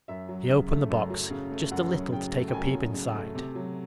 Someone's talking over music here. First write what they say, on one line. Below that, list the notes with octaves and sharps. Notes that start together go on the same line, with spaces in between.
She opened the box just a little to take a peep inside.
F#2 E5
F#3
C#3
A3
F#2
F#3
C#3
A3
F#2 F#5
F#3
C#3 G5
A3
G5
F#2 G#5
F#3
C#3
A3
C3
F#3